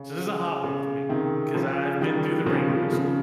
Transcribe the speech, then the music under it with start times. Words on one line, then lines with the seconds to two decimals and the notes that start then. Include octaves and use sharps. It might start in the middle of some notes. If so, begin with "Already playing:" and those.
So this is a hot one for me 'cause I've been through the ringer with school.
Already playing: C#3
0.64 C#3
1.09 C3 D#3
1.54 C#3 F3
2.01 D#3 G3
2.46 C#3 F3
2.70 C#3
2.93 C#3